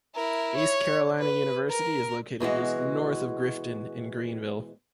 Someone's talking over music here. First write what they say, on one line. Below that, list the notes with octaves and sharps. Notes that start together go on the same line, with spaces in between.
East Carolina University is located just north of Grifton in Greenville.
E4 A#4
C#5
B4
A#4
B2 E3 G#3 F#4